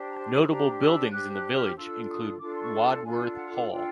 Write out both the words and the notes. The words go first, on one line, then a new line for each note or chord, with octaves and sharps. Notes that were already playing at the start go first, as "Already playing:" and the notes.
Notable buildings in the village include Wadworth Hall.
Already playing: D4 G4 C5
A#5
A5
B5
D4 G4 C5 A#5
E6
D4 G4 C5 F#6
F#6
F6
D4 F4 A4 E6
D#6
D4 F4 A4 D6
C6
C#6
A5
D4 F4 A4 G#5
F#5
D4 F4 A4 G5